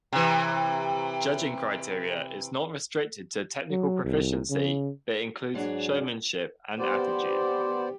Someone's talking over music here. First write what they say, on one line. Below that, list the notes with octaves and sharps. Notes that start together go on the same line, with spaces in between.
Judging criteria is not restricted to technical proficiency, but includes showmanship and attitude.
C3 E3
F#3
C2
C#3
G#2 F#3 D4 G#4
B3 G4 C5 D5